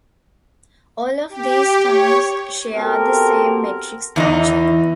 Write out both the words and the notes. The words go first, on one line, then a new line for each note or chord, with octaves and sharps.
All of these songs share the same metric structure.
G4
C#5
B3 C4 F#4 G4 A4 A#4
E2 E3 D#4 D#5